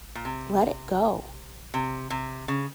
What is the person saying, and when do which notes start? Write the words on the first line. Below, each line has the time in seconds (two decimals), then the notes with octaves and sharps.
Let it go.
0.15 A#2
0.25 C3
1.74 C3
2.10 C3
2.48 C#3